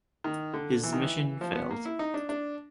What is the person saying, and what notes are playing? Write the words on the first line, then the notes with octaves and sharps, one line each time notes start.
His mission failed.
D#3
D3
E3
D#3
E3
F3
B3
A#3
E4
D#4
D4
D4